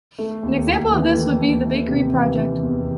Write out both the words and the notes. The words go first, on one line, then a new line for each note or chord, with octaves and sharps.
An example of this would be the bakery project.
A3
D#2
D#2
E3
A3
D#2
E3
C3
E3
E3
E2